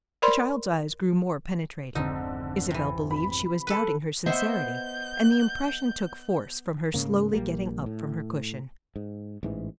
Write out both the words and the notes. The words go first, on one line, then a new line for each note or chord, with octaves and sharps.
The child's eyes grew more penetrating; Isabel believed she was doubting her sincerity, and the impression took force from her slowly getting up from her cushion.
A#4 C5 D5 B5 C6
G#1 F2 D3 C4 D#4
C3 E3
B5
A4 B4
B3 C5 D#5 E5 F#5 G6
G#2 C#3 A#3
A#1 G3 A#3
A2
G#2
A1 G#2 E3